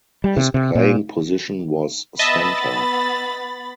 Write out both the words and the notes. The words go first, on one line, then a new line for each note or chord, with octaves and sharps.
His playing position was centre.
G3
C3
C3
A#2
B3 D#5 E5 A5 B5 A6